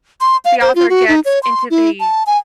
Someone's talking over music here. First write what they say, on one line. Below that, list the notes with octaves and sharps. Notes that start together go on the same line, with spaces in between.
the author gets into the
C6
F5
C5
F4
F#4
D#4
C#5
C6
E4
A5
G#5